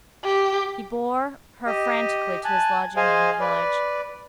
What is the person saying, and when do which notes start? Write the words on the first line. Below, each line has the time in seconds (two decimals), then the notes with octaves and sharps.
He bore her frantically to his lodgings in the village.
0.24 G4
1.67 G4 D#5
2.45 G#5 A5 F#6
2.96 G#4 C5 D#5 F5 G#5
3.40 B4 D5